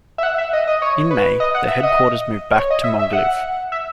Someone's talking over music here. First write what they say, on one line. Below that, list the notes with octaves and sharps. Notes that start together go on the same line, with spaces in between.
In May, the headquarters moved back to Mogilev.
E5
F#5
E5
D#5
D#5
C#5
B4
D#5
F#5
E5
D#5
C#5
D#5
E5
E5
F#5
E5